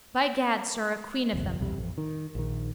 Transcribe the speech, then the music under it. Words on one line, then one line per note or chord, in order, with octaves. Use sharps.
By gad, sir, a queen of them.
G1 C2 F2
B1 E2 C3 G3
A1 F2
D#3
A#1 D#3